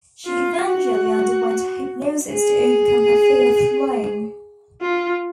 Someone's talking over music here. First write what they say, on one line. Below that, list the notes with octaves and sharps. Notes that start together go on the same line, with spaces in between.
She eventually underwent hypnosis to overcome her fear of flying.
F4
F#4
G#4
F4